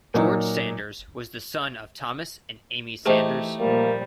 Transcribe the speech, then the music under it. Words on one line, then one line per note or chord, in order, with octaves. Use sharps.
George Sanders was the son of Thomas and Amy Sanders.
A#2 F#3 D#4
E3 A3 D#4 G4 G#4 C5 D#5
A#2 F3 G3 A#3